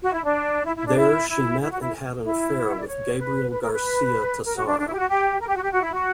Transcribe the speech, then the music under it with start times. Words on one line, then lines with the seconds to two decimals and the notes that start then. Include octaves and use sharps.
There, she met and had an affair with Gabriel Garcia Tassara.
0.02 F#4
0.13 E4
0.24 D4
0.66 E4
0.76 E4
0.87 D4
0.97 E4
1.29 E4
1.61 E4
1.71 F#4
1.81 E4
2.24 E4
2.65 F#5
2.73 E5
2.80 D5
2.87 C#5
3.19 B4
3.50 B4
3.61 A#4
3.72 B4
4.45 A#4
4.56 F#4
4.67 D4
4.79 D4
4.87 E4
4.94 G4
4.98 F#4
5.09 G4
5.40 A#4
5.47 G4
5.55 F#4
5.63 G4
5.71 F#4
5.82 E4
5.93 F#4